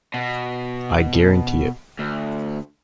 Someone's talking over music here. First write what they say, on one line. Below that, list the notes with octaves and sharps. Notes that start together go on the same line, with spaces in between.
I guarantee it.
B2
D2